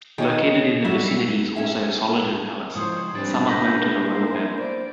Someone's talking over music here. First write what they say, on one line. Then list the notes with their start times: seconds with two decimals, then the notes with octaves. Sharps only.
Located in the vicinity is also Solliden Palace, summer home to the royal family.
0.18 D#3 G#4 C#5 D#5
0.85 F#3 G3 E4 F#4
1.56 C#4 E5
2.75 G#2 F3 E4 C5 C#5 D#6
3.15 G3 C4 D4 G#4 B4 A6
3.47 A#3 B3 E4 G6 A#6 B6
4.10 A#4 C5
4.58 C5 D5